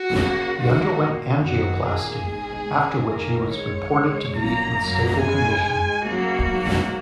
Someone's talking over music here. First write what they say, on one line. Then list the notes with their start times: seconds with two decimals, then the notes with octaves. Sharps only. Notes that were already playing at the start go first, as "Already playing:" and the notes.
He underwent angioplasty after which he was reported to be in stable condition.
Already playing: F#4
0.16 C#3 A#3
0.58 G#2 D#3 F#3 A#3 F#4
1.01 A#2 A#3
1.42 F#2 D#3 F#3 A#3 F#4
1.85 A#2 A#3 G#4
2.27 G#2 G#3
2.69 C#3 A#3
3.11 F#2 D#3 A#3 A#4
3.53 G#2 G#3 C#5
3.96 G#2 G#3
4.38 A#2 F#3 A#3 A#5
4.80 F#2 F#3 A#3
5.22 C#3 G#3 G#5
5.65 G#2 G#3
6.07 C#3 F#3 A#3 F#4
6.49 G#2 F#3 A#3